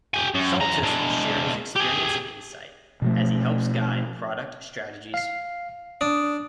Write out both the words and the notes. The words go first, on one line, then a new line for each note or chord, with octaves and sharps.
Soltis will share his experience and insight as he helps guide product strategies.
G4 G#5
F#2
E2 A#5
G#3 D4
G4 G#4
B2 F3 A3
F5 C7
D4 D#6